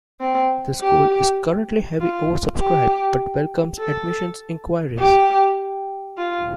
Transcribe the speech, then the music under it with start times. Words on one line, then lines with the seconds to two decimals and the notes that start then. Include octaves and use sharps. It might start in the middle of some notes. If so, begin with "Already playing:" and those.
The school is currently heavily oversubscribed, but welcomes admissions inquiries.
0.21 C4
0.80 G4
2.00 F4
2.59 G4
3.79 A4
4.98 G4
6.18 F4